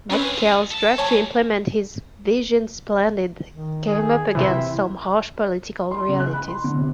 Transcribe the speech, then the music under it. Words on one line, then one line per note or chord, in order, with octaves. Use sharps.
McKell's drive to implement his 'vision splendid' came up against some harsh political realities.
C4 C#4 F4 G#4 B4
A4 A5
F#3 A#3 C#5 G#5 A5
D#3
G#4
C3 E3 E4 E5 B5 C6
C6
C#3
F#6
B5
C6
D3
C3